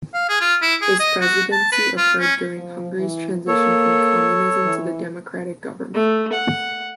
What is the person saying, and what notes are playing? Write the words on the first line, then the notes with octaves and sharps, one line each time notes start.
His presidency occurred during Hungary's transition from Communism to democratic government.
F5
G#4
F4
E4
G#4
D#5
F#4
A5
B4
F4
C#4
F3
E3
A#3 A4 C#5
E3
A3
F#5